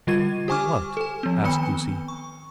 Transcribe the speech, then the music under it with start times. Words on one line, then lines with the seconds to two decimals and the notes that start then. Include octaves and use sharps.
'Do what?' asked Lucy.
0.07 D3 G3 F4 G#6 D#7
0.48 G4 C5 G#5 C#6 D6 F6
0.97 A4 G#5
1.23 F3 C4
1.44 D#3 B3 C4 G#5 B5 C#7
2.08 C#6